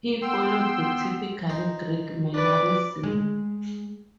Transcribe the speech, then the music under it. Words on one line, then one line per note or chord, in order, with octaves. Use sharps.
He followed the typical Greek mannerisms.
B3 G5 C6 E6
D#4 C5 A#5
D4 B4 D5 D6
G#3